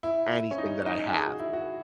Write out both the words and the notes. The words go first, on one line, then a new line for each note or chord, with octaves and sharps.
anything that I have.
E4
C#4
D#4
D#4
G#4
F#4
E4
F#4